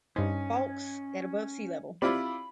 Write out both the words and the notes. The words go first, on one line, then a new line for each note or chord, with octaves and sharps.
Fowlkes at above sea level.
G2 C#4 D#4 C5
C4 E4 F4 G4 D5 B5